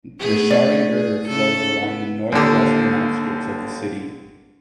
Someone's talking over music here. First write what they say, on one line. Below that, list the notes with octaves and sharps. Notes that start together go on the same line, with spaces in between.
The Shari River flows along the northwestern outskirts of the city.
A3 B3 G#4
D5
G#4
C#3 A4
B3
D#2 D3